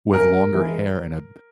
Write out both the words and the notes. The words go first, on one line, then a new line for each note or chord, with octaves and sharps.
with longer hair and a p
F#2 A#4
E3 G#3